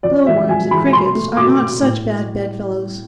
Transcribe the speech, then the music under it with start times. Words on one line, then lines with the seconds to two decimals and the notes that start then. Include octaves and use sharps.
Glow-worms and crickets are not such bad bedfellows.'
0.03 F2 D5
0.25 E3 G#3 E5
0.49 F2 G#5
0.71 E3 G#3 B5
0.93 B2 C6
1.15 A3
1.37 B2 D6
1.59 A3
1.81 A2